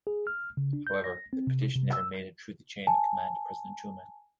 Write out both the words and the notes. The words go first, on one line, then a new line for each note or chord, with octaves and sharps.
However, the petition never made it through the chain of command to President Truman.
G#4
F6
C#3
D4
G6
A#6
C4
C3
C3
E6
G#5 A5